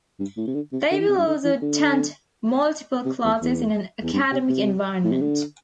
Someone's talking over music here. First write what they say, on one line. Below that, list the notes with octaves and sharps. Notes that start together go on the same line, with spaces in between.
They will also attend multiple classes in an academic environment.
G2
A2
C3
D3
C3
D3
E3
C3
G2
D3
E3
D3
C3
E2
E2
E2
G2
C3
C3
A2
C3
D3